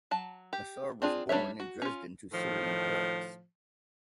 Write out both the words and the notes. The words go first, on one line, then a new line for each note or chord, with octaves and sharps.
Nasr was born in Dresden to Syrian parents.
F#3 A5
G4
C4 D4 F4 G#4
G3 D4 C5 C#5 E5
F#4
C#4 F4
A2 D#3 F3